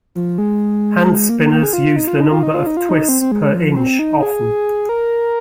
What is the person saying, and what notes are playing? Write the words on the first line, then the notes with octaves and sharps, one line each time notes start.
Handspinners use the number of twists per inch often.
F3
G#3
A#3
A#3
A#3
G#4
F4
D#4
F4
D#4
F4
D#4
F4
D#4
F4
D#4
C4
C4
G#3
G#3
F3
C4
D#4
G#4
A#4